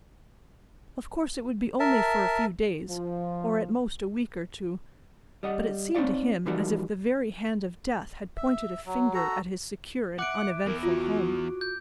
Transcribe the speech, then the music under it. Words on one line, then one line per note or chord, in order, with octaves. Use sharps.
Of course it would be only for a few days, or at most a week or two, but it seemed to him as if the very hand of death had pointed a finger at his secure and uneventful home.
A#4 E5 A5
F3
G3 D#5 F#5
C4 D#4 C#5 D5 F5
E3 F3 G3 A#3 D#4 F#4
E5
F#3
F#4 A4 A#5
E5 F#5 D6 F#6 D7
E2 E4 A#4
F4 F#4
G6